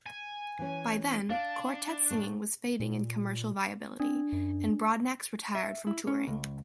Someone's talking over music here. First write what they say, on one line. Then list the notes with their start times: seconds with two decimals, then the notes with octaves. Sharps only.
By then, quartet singing was fading in commercial viability, and Broadnax retired from touring.
0.06 G#5
0.59 E3 C#4
1.30 D4 F5
2.10 A2 A3
2.80 A#2
4.00 C4 D4
4.33 F#2
5.55 E5
5.87 E4
6.07 C#4
6.27 C#2